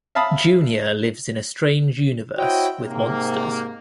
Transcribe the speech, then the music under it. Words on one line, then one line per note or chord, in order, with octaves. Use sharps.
Junior lives in a strange universe with monsters.
E5 F5 A5 B5 D#6
E4 F#4 C5 C#5 D#5 G5
G#2 C3 A#3